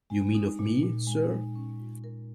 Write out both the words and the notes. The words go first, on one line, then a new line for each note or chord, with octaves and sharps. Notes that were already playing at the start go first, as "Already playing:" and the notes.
You mean of me, sir?
G#3
D#4
A#2
A#2
G#3
D#4
C#4
F4
A#4